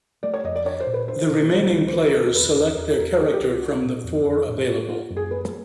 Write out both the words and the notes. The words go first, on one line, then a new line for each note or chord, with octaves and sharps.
The remaining players select their character from the four available.
A3 D5
C#5
F2 D#5
D5
D4 C#5
C5
A#2
B4
D4 C5
B2
A3 C5
D2
C5
A#3 B4
A#4
D2
A4
E2 B4
E2
E2 A#4
A4
E2 A#4
A3 G#4
G4
C#2
F4
D4 F#4
A#2
F2
F2
A2
A2
A#3 F4
F#2
G#4
A#3 B4